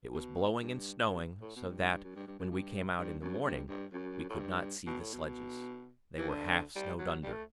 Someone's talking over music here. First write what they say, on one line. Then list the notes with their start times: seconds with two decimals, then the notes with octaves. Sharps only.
It was blowing and snowing so that when we came out in the morning we could not see the sledges; they were half snowed under.
0.14 B2
0.62 G2
1.09 F#2
1.41 A2
1.56 B2
1.67 G2
1.80 G2
1.91 G2
2.04 F#2
2.16 G2
2.27 G2
2.39 F#2
2.51 G2
2.98 G2
3.22 F#2
3.45 G2
3.69 G2
3.93 F#2
4.29 A2
4.39 G2
4.86 B2
5.00 A2
5.13 B2
6.17 E3
6.29 D3
6.75 G3
6.99 F#3
7.23 G3
7.33 A3